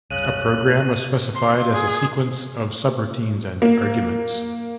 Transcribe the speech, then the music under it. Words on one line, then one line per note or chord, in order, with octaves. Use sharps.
A program was specified as a sequence of subroutines and arguments.
C2 F#2 C#3 F#6 D#7 F#7
C6
G#4
A#3